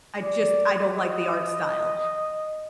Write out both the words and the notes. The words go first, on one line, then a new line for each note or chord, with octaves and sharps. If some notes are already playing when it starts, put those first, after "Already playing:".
I just I don't like the art style
D5
D#5